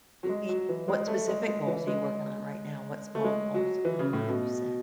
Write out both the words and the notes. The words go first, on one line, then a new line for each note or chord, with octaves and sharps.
You i what specific goals are you working on right now, what small goals, uh, have you set?
F#3
G#3
F#3
E3
G#3
A3
G#3
G#3
E3
G#3
A3
G#3
F#3
E3
C#3
A2
B2